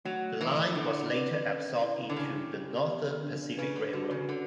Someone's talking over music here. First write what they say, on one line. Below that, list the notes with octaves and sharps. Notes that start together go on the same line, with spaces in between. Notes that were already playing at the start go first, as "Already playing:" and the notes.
The line was later absorbed into the Northern Pacific Railroad.
F#3 A3
E3 E4
D3 F#5
B4
C#4
E4
D3
C#3 C#4
G4
B3
D4
C#3 B4
D3
D3 F#4
C#3
D3 C#4